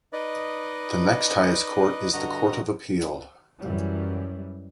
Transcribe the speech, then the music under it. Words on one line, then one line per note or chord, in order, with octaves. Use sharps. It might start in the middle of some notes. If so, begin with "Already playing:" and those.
The next highest Court is the Court of Appeal.
D#4 B4 D5 D#5
G2 D3 F#4 D#5 A#5
F#2 E3 G3